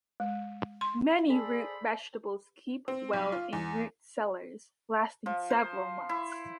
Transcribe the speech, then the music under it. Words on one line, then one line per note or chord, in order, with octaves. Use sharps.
Many root vegetables keep well in root cellars, lasting several months.
G#3
C6
G#4 A4 C5 D5 B5
C4
B1
F4
E2
F3
C5
E4